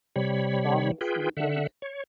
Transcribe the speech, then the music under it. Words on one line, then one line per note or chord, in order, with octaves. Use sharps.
Comics imprint.
C3 G3 C#5 B5
F4 G#4 B4 G5
D3 E5 F#5
C#5